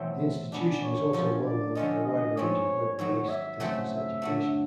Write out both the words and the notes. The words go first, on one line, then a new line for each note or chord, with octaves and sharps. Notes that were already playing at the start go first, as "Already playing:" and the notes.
The institution is also well known for a wide range of web-based distance education.
Already playing: E2 B2 F#3 A3 C4 E5
B2 G#3 B3 D4 D5
C#5
F#2 D3 F3 A#3
D5
D3 F3 A3 C#4 F4 D#5
D#5
G#2 F3 G#3 C4 C#5
G#2 D#3 F#3 C#5
E5
C#3 F#3 A3 C4
E5
D3 F#3 A3